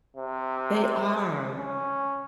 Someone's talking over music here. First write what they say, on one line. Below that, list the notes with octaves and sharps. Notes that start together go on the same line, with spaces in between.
They are.
C3
C#4